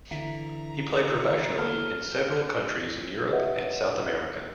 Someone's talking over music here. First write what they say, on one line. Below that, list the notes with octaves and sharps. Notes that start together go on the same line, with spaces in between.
He played professionally in several countries in Europe and South America.
D3 E3 E5 A#5 B6
A#3 A4 A5 F6
G4 B4 C#5 D#5 E5 F#5